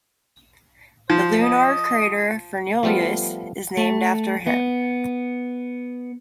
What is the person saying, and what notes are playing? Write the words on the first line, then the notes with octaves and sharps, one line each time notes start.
The lunar crater Fernelius is named after him.
F3 C5
D#5
F3 G3 A3 B3 F4
A3
B3